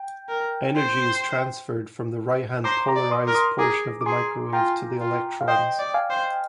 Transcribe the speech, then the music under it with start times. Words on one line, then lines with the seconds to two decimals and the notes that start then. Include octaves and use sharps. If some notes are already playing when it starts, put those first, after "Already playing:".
Energy is transferred from the right-hand polarized portion of the microwave to the electrons.
Already playing: G5
0.29 A#4
0.76 C5
2.64 C5 A#5 D6
2.78 C6
2.88 A#5 D6
2.96 D5
3.11 C6 D#6
3.28 A#4
3.35 C6 D#6
3.59 G#4 A#5 D6
4.01 D6
4.06 G#4 G#5 C6
4.53 F4 G5 A#5
5.00 F4
5.41 F5
5.48 C5 D#5 G5
5.79 D5
5.94 F5 G#5
6.10 C5